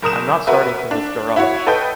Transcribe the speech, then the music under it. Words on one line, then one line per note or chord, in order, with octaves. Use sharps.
I’m not starting from this garage.
F#1 A#4 D#6 E7
F#4 A#4 B4 E5
D4
E4 F#4 C#5
A4 B4 D#5 G5 G6